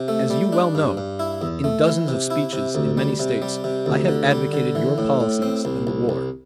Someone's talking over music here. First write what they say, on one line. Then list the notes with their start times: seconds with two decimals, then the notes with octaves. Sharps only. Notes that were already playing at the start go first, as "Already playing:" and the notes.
As you well know, in dozens of speeches in many states I have advocated your policies and the war.
Already playing: C3
0.08 A3
0.30 G3
0.52 D4
0.75 G2
0.97 G2
1.19 E4
1.42 E2
1.64 A3
1.86 E3
2.08 C3
2.30 E4
2.53 C3
2.75 D2
2.97 G3
3.20 C3
3.42 G3
3.64 C3
3.86 D2
4.08 D3
4.31 G3
4.53 D3
4.75 E3
4.98 A2
5.20 A2
5.42 C4
5.65 C2
5.87 C2
6.09 C2